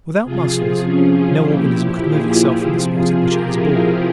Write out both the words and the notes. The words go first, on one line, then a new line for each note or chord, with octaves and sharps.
Without muscles no organism could move itself from the spot in which it was born.
C3 F3 F4 G#4
C#4 F4
F4 G#4
A#2 F3 E4 G4
F4 G#4
C3 F3 F4 G#4
F4 G#4
G4 A#4
E4 G4